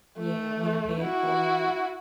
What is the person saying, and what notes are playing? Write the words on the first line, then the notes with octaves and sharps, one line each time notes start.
Yeah, wanna pay it forward.
A3
E4 F#4